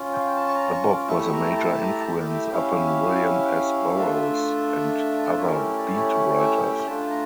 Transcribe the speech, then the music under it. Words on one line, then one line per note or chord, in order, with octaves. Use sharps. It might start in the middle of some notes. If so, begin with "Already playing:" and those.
The book was a major influence upon William S. Burroughs and other Beat writers.
Already playing: C#4 F4
G5
F5
G5
A5
C#6
A#5
C#6
D6
A3 E4 G4 C#6
A#5
G5
A5
A#5
A5
G5
G5
C#4 E4 G4 F5
A3 D4 F4 E5
C#5
A3 C#4 E4 G4 A#4
D5
C#5
C#5
E5
G5
A3 D4 F4 A5
A#5